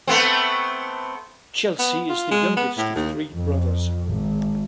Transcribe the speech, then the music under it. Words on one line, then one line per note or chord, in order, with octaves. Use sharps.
Chelsea is the youngest of three brothers.
A3 B3 C4
B3
F4
G#3
B3
A2
D#2
F2
G#1